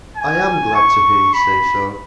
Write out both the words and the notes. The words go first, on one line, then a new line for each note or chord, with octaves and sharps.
I am glad to hear you say so.
G#5
C#6
B5